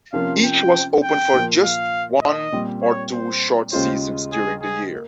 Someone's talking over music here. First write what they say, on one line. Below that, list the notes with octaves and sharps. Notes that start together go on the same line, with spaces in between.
Each was open for just one or two short seasons during the year.
C3 F3 A#3 C#4 F4 F5
G5
G5
A#2 F3 A#3
F5
D#5
A#2 G3 C4
C#5
C5
D#2 C#3 G#3 C#4 F4 C5
G#4
G#4
A#3